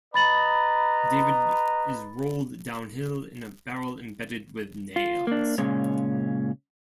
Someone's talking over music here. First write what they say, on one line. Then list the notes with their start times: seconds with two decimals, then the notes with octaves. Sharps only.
David is rolled downhill in a barrel embedded with nails.
0.14 B4 D#5 A#5 B5 A6 F#7
4.96 F4
5.27 A#3 D4
5.58 A#2 C#3 G#3 C#4